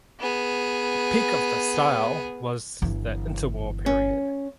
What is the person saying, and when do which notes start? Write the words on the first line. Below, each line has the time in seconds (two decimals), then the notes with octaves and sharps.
The peak of the style was the interwar period.
0.20 B3 G#4
2.82 G1 E3
3.86 C#4